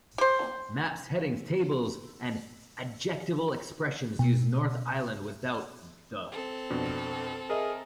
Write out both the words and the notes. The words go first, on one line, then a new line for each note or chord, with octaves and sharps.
Maps, headings, tables and adjectival expressions use North Island without "the".
G4 C5
B2
C4 A4
F2 B2 D4
G#4 A#4 D#5 E5